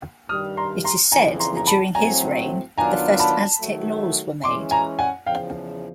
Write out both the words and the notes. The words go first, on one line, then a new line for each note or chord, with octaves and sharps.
It is said that during his reign, the first Aztec laws were made.
G2 D#3 G3 D#6 F6
A#5 C6
A#5 C6
F2 C#3 E3 G#5 A#5
A#5 C6
A#5
A5 B5
A2 F#3 A3 C4 G#5 A#5
D#3 F#3 B3 D4 F4 G#5 A#5
A5 B5
D#3 F#3 A3
E3 G#3 C#4 C6 D6
G#5 A#5
F#5 G#5
E2 C#3 F3 F5 G5